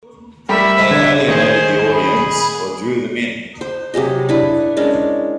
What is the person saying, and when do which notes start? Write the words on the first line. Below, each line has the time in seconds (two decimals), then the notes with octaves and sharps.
They alienated the audience or drew them in.
0.49 G3 A3 A#4 E5 B5 B6
0.91 D3 G#6
1.28 D#3 G#4 C5
1.92 G#4 B5
3.61 C5
3.94 C3 F#3 G#4 D#5
4.29 D4 E4 B4
4.77 G#3 C#4 D4 A#4